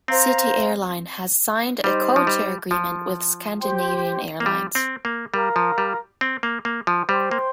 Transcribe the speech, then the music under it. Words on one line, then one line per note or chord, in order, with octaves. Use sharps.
City Airline has signed a codeshare agreement with Scandinavian Airlines.
C4 C5 F5 A#5
G3 D#4 C5 D#5
F3
G3
F3
G4 C5 G5 C6
A#3
G3
C4
A#3
G3 A#4 F5 A#5
F3
G3
C4
A#3
A#3
F3
G3 C5 G5 C6
A#3